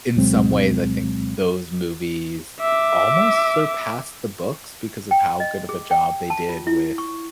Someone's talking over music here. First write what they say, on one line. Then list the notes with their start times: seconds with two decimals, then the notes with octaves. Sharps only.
in some ways, I think those movies almost surpassed the books because of how good of a job they did with
0.16 D2 B2 F#3 G#3 C4
2.61 E5 D6
5.11 G5
5.27 C6
5.40 D#5
5.69 G#4
5.91 G5
6.30 A5
6.49 F4
6.67 E4
6.98 C#6